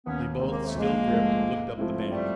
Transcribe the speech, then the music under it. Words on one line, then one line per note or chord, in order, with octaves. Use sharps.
They both, still gripped, looked up the bank.
D#2 B3 C#4
D#3 G#3 C4
A#3
A3
A#1 G#3 A#3
G#2 F3 A3
G#2
F3 A3 C4 E4
G3 A3